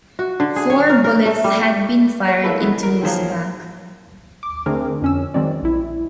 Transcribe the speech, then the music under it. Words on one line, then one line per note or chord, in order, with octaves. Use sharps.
Four bullets had been fired into his back.
F#4
D3
G#4
C#5
A#4
A#4
A3
G3
C#5
A3 A#3 E4 A4 B4
C#3 E3 G#3 A3 B3
A#4
D#3 F3 F#3 A#3
D6
D3 A3 C4 D4 G#4 A#4
F2 C#4 E6
D#3 F#3 G#3 C4 D5
A#1 E4